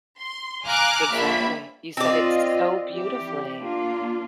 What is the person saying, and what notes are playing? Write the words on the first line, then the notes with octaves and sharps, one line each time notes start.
Exactly. You said it so beautifully.
C6
F5 G#5 A#5 D6 F6 F#6
A#1 A#3 E5 B5
C4 F4 D5 D#5
E3 G4
A#3 D4 F4